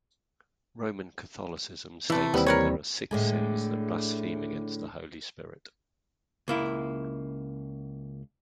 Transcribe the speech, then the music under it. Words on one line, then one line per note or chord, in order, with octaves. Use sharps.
Roman Catholicism states that there are six sins that blaspheme against the Holy Spirit.
C3 E3 A3 E4
D#2 G3 B3 C4 E4
A#4 B4 C#5
A2 D3 G#3
C#2 A#3 E4